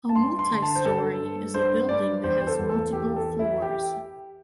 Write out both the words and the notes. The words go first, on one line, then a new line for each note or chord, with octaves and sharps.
A multi-storey is a building that has multiple floors.
A5
G2 C6
C6
D3
A5
C5
G2 A4
G2
G2 C5
G2 D5
E2 C5
C5
A4
E2
A4
E2 G4
A4
E3
E4
G4